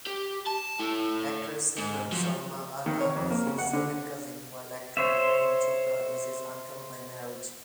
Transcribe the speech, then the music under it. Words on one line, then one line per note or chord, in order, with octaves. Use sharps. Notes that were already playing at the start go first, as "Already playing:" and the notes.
Actress-singer Salma Agha is his second cousin, while actor Prem Chopra is his uncle-by-marriage.
G4
A5
E4 A4
G#2
F3 F#3
D#3
C#5
F2
A#3
C#3
F#5
D3
C5 C#5 E5